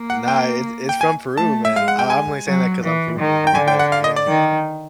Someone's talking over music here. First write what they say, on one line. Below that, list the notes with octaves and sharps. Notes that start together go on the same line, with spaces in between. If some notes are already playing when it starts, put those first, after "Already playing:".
No, it's it's from Peru, man. I I'm only saying that 'cause I'm Peruvian, but yeah.
Already playing: A#3
F#5
G5
G5
G#5
A3 A5
E5
G#3 F5
F#5
G5
G#5
F#3
E3
D#3
G5
D3 G#5
G5
F#5
F5
D#5
D5
D#3